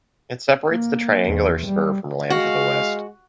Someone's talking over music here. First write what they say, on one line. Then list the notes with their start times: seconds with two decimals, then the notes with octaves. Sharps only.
It separates the triangular spur from land to the west.
0.71 A#3
1.26 E2
1.68 G3
2.30 G#3 F#4 F5